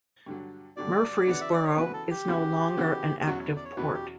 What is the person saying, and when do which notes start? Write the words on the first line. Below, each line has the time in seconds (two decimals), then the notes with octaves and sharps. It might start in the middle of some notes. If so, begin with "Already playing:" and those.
Murfreesboro is no longer an active port.
0.26 G2 D3 F#3
0.77 G2 D3 F#3 D5
1.27 C#3 E3 B3 F#4 F#5
1.41 E5
1.53 D5
1.65 C#5
1.77 C#3 E3 B3 F#4 B4
1.93 A4
2.11 G4
2.27 C#3 E3 B3 F#4
2.77 C#3 E3 B3 F#4
3.20 G4
3.27 E2 B2 F#3 C#4 F#4
3.56 D5
3.65 C#5
3.77 E2 B2 F#3 C#4 B4
3.94 G4